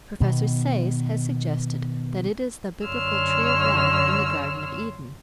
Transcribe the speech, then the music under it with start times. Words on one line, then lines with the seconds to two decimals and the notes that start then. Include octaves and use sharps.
Professor Sayce has suggested that it is the Biblical "Tree of Life" in the Garden of Eden.
0.20 B2 D#3 B3
2.85 F#2 D3 C#5 C6 E6 F6